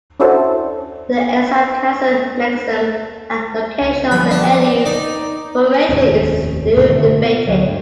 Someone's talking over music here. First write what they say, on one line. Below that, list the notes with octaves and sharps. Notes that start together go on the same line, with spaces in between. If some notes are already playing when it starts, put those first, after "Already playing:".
The exact causal mechanism, and location of the eddies formation is still debated.
C#4 D4 E4 F#4 A4 C5
C#2
F3 G3 B3 B5
D4
D#4 D5
F1 D#2 A2 C#4
A#1 G2 B2 D#3
A#2 D3 A3
A#2 B3
D2 F#3
G2